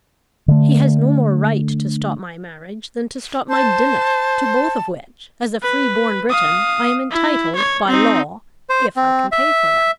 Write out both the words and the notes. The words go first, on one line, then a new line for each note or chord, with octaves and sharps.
He has no more right to stop my marriage than to stop my dinner, to both of which, as a free-born Briton, I am entitled by law, if I can pay for them.
D3 A3
C5 A5
B4
F5 D#6
E4
C#5
C4 D#4
C5
C4
E5